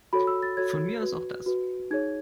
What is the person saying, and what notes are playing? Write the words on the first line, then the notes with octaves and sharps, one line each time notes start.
Von mir aus auch das.
F#4 A4 C#5 B5
E6
A6
F#4 A4 C#5 G#6
F#4 B4
F#4 B4
D#4 G#4 C#5 G#6